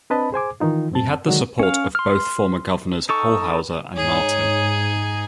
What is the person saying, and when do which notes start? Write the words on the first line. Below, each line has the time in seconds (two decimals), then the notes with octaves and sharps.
He had the support of both former governors Holshouser and Martin.
0.10 C4 D4 B4 D#5 A5 B5
0.32 G#4 C5 G#5 D6
0.60 D#3 E3 D#4 F4
0.91 F#2 C4 A5
1.26 D3 D#3 F#3 G#3 D4 F#4
1.59 C#4 F5
1.95 C6 F6
3.09 D#4 A4 C#6
3.96 G#2 D#4 G#4 C#5 G#5